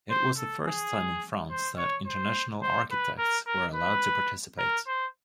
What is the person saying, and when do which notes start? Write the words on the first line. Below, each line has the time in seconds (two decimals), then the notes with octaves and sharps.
It was the first time in France that international architects were allowed to participate.
0.10 C5
0.38 A4
0.67 G#4
1.51 C5
1.78 C#5
2.07 C5
2.62 C5
2.91 B4
3.18 A#4
3.46 A#4
3.75 B4
4.59 A#4
4.87 C5